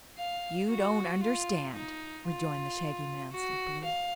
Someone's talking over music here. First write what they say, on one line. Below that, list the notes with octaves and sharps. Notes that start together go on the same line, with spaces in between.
"You don't understand," rejoined the Shaggy Man, sleepily.
F5
F#4
F4
D#4
F4
F#4
F5